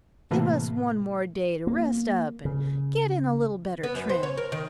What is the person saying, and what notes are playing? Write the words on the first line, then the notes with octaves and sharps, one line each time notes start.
Give us one more day to rest up and get in a little better trim.
A2 C3 E3 A3 A#3
A#3
C#3
B3
F#2
C5
C#5
A#4
D#3